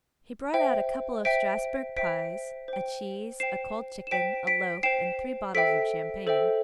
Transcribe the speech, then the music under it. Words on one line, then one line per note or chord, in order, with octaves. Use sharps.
He brought out a couple of Strassburg pies, a cheese, a cold chicken, a loaf, and three bottles of champagne.
C5 E5 G5
C5 E5 G5 B6 D7
C5 E5 G5 B6 D7
C5 G5
C5 G5 C7 E7
E7
C5 G5 B6 D7
B6 D7
C5 G5 C7 E7
A4 C5 E5 G5 B6 D7
A4 C5 E5 G5